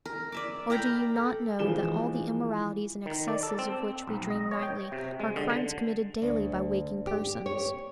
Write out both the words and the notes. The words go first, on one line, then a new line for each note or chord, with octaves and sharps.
Or do you not know that all the immoralities and excesses of which we dream nightly are crimes committed daily by waking persons?
A#4
D5 E5 D6
A#4 G5 A#5 B5
A4
E3 F3 G#3 E7 G7
D#3
D5
A4
C4
B1
D#5
C#5
G5
C3
G#3
D3
D3
D2
G4
C#5